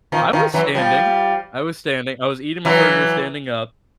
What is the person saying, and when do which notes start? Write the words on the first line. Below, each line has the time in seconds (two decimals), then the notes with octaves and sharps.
I was standing I was standing I was eating my burger standing up.
0.12 D#3 F3
0.33 D#3 F3
0.54 E3 F#3
0.75 F3 G3
2.65 E3 F#3